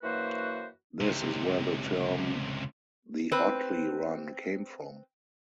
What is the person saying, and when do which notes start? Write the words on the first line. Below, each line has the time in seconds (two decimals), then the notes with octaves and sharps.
This is where the term "the Otley Run" came from.
0.03 F#2 E3 A#3 F#4 B4 C5
1.01 C#2 C3
3.32 C4 B4